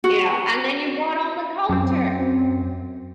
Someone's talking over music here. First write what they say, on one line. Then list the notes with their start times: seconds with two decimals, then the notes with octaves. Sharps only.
you know, and then you brought all the culture.
0.04 F#4
1.69 F#2 C4